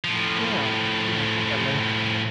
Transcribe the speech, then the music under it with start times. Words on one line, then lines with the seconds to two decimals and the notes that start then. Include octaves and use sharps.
Yeah, yeah, definitely.
0.04 A2 F3